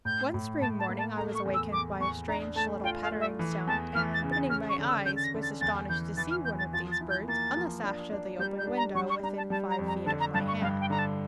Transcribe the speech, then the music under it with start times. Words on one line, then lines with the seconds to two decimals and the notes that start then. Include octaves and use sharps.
One spring morning I was awakened by a strange little pattering sound, and, opening my eyes, was astonished to see one of these birds on the sash of the open window within five feet of my hand.
0.05 A2 G6
0.34 A2
0.61 A2 A5
0.79 A5
0.89 A#3
0.98 A5
1.17 A3 A#5
1.35 C#6
1.45 E2
1.54 E6
1.72 E2 D6
2.00 E2 C#6
2.28 D4 A#5
2.56 A3 A5
2.84 F4 G5
3.03 F5
3.12 A3
3.20 E5
3.39 E3
3.67 E2 A5
3.95 E3 F6
4.14 A6
4.23 C#3
4.32 A6
4.50 C#4 F6
4.69 C#6
4.78 D3
4.88 E6
5.05 C#4 G6
5.17 A6
5.24 A#6
5.34 D3
5.43 A6
5.61 E2 A6
5.89 E3 G6
6.17 E3 A6
6.31 F6
6.45 E2 G6
6.59 A6
6.73 F3 A6
6.92 A6
7.01 E4
7.10 G6
7.28 A#3 A6
7.56 F3
7.84 D4
8.12 D4
8.39 G3 G6
8.59 G6
8.67 D4
8.77 A#5
8.95 G3 C#6
9.10 C#6
9.23 D4 A#5
9.37 A5
9.50 G3 A5
9.70 A#5
9.79 F2
9.87 A#5
10.06 D3 A5
10.20 A#5
10.34 G2 A5
10.48 C#6
10.62 G2 F5
10.81 G5
10.90 D3 A#5
10.99 A5